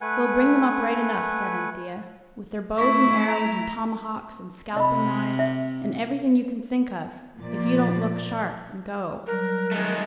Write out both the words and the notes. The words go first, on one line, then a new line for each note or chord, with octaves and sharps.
'We'll bring them up right enough,' said Anthea, 'with their bows and arrows, and tomahawks, and scalping-knives, and everything you can think of, if you don't look sharp and go.'
A3 B4 F#5 G#5
A3 E4 C#6
A#5
C3 D#5 B5
E5
A#2 F3 D5
F#3 G3 A#4 F#6
D#3 G#3 A3